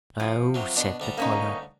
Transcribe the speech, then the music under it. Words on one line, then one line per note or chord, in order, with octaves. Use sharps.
"Oh!" said the collar.
F3
C3 F#3
B2 D4
D2 G3 A#5
A#3 C#4 D#4